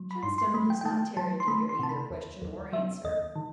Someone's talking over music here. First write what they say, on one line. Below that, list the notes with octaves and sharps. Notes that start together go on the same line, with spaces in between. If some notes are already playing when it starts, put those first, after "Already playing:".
Shenstone has not tarried to hear either question or answer.
Already playing: F#3
B5
G2 C6
C6
A3 B5
G5
G5
A3 A5
F#3 A5
C6
A3 B5
C6
C3 A5
B5
D#2
D#2
F#3 E5
D#2 D#5
D#3